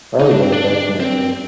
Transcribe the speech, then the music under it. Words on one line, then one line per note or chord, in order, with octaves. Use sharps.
Oh, yeah. Definitely.
D#4
D4
C4
D4
C4